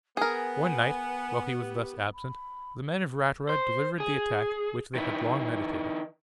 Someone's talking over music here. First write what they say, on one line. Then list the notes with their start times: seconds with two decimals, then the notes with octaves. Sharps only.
One night, while he was thus absent, the men of Ratura delivered the attack which they had long meditated.
0.17 B3 G#4 A#4 G#5
1.58 G4
2.14 B5
3.49 C5
4.00 G#4
4.95 D#3 E4